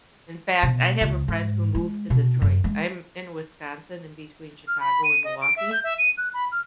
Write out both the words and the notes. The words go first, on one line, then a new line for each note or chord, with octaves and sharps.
In fact, I have a friend who moved to Detroit. I'm in Wisconsin, in between Chicago and Milwaukee,
B2
C#2
G#2
G#3
B2
F#2
G#3
F6
B5
D#7
D#5
D7
E5
G6
E5
D#7
F#6
B5
F6